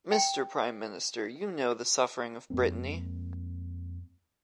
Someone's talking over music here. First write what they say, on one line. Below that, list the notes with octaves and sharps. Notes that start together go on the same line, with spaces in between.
Mister Prime Minister, you know the suffering of Brittany.
G5
F2 G#3 A#3 C4